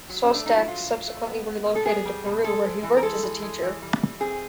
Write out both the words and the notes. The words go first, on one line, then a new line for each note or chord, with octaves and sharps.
Sostak subsequently relocated to Peru where he worked as a teacher.
F#3
C#4
A3
D4
F#3 D#4
E4
F#3 F4
F#3
A3
B3
B3
B2
A4
B3 G#4
G3
B2
G#3 A4
G#3
E3
A#4
G#3 A4
E3
G#3
E3
G3
E3
C4 G#4